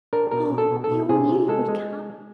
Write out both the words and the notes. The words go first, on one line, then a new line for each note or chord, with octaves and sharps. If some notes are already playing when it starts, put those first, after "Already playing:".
'Oh! we all knew you would come.
D4 A#4
B2 A#4
B2
A4
B2
A4
B2
C3 G#4
C3
G#3 A4
G#3